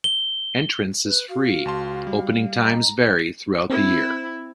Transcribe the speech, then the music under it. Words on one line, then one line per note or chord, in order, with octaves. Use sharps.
Entrance is free, opening times vary throughout the year.
G7
B4
F#4 F5
C#2 A5 C6
G3
D#5 A#5
C4 E4